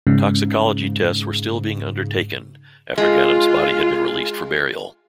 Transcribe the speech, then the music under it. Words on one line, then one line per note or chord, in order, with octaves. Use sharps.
Toxicology tests were still being undertaken after Ghanem's body had been released for burial.
G#2 C#3
G#3 F4